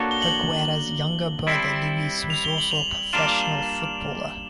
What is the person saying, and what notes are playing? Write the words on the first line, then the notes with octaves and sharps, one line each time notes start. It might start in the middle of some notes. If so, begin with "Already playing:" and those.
Helguera's younger brother, Luis, was also a professional footballer.
Already playing: A#3 D4 F#4 A4 C#5
G7
F#7
G3 C4 E4
F7
G7
F#7
F7
G3 A#3 D4 F4 E7